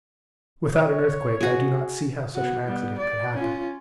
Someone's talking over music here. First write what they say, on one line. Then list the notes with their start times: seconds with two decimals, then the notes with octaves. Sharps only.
Without an earthquake I do not see how such an accident could happen.
0.74 C#5
1.41 F#4 G#4
2.35 B3 F#4
2.66 G3 B3
2.98 D5
3.34 C#4 F4